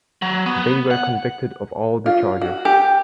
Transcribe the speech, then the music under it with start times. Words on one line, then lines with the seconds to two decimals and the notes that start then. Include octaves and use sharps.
They were convicted of all the charges.
0.22 F#3
0.46 B3
0.91 F#5
2.06 F4
2.41 F#4
2.65 G4